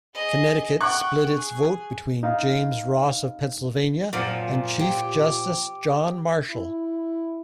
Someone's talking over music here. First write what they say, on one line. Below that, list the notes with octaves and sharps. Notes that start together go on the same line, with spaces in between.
Connecticut split its vote between James Ross of Pennsylvania and Chief Justice John Marshall.
G#4 D#5
F#5 G5 C#6 F#6
G#4
D#4 F5
F#2 A#2 F3
G4
E4